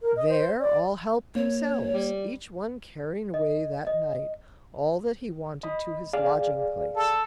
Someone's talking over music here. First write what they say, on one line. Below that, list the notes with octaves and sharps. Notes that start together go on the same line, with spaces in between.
There all helped themselves, each one carrying away that night all that he wanted to his lodging-place.
A#4
D#5
C5
D5
A#3 C#5
G3
D#5
D#5
D#5 B5
G#4 D5 F5
A4